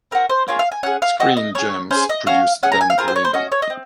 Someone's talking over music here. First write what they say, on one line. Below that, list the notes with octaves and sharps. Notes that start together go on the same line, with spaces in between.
Screen Gems produced "Dan Raven".
C4 F#4 A#4
C5
A#3 F4 G#4 C#5
F5
G#5
C#4 G#4 F#5
F5
C4 F#4 D#5
D#5
C#4 G#4 C#5
C#4 G#4 C5
D#5
C#4 F#4 F5
C#4 G#4 F#5
A#5
G#5
F5
C4 F4 G#4 A#4
C5
C#5
C5
C#4 F#4 D#5
C#5
D#5
C4